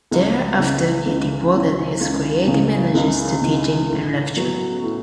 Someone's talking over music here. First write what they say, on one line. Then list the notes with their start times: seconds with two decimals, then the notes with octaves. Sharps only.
Thereafter, he devoted his creative energies to teaching and lecturing.
0.11 C#2
0.59 C#3 E3
1.06 C#2
1.53 C#3 E3
2.00 C#2
2.47 C#3 E3
2.94 C#2
3.42 C#3 E3
3.89 A2
4.37 F#3 B3 F#4
4.83 A2